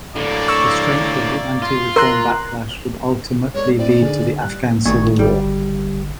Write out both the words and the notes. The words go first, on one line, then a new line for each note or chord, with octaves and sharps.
The strength of the anti-reform backlash would ultimately lead to the Afghan civil war.
A2 D3 A#3 D5
C#6 E6
F4
A#4 A#5 C6 F#6
G#3 A#4 C#5 D5
C4 E4 D5
D3 D#3 G#4
G3 F#6
G#1 A#2 D#3 A3 C#6 G#6
G#1 D3 G3